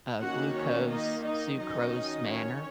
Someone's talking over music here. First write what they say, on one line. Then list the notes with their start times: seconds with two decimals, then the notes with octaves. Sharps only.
a glucose, sucrose manner.
0.20 D#3 A#3 C#4 F#4 F#5
0.55 C#4 C#5
0.89 D#4 D#5
1.24 D#4 D#5
1.59 D#3 F#3 C#4 D#4 D#5
2.29 C#4 C#5